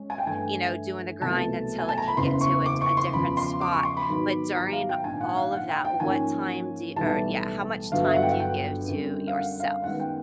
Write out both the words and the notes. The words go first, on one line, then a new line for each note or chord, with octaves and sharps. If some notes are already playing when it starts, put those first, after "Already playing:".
you know, doing the grind until it can get to a d a different spot, but during all of that, what time do or, yeah, how much time do you give to yourself?
Already playing: G#3 C#4
G#5
G5
G2 E3 A3 G#5
C2 B2 F#3 A3 A5
G#5
A5
A#5
B5
F#1 E2 C#3 E3 C6
C#6
D6
C#6
C6
E2 C#3 F3 B5
C6
D6
C#6
C6
B5
G#2 D#3 F#3 B3
A#5
F5
G5
A#1 G#2 D#3 G#5
F#5
F5
F#5
G5
G5
G#2 F3 A#3 C#4 G#5
B1 A2 E3 G3 A5
G1 G2 D3 F#3 B3 F5
E5
F#5
G5
F#5
G5
F#2 D3 G3 C4
F5
F#5
F5
F#2 D#3 G#3 B3 F#5
G5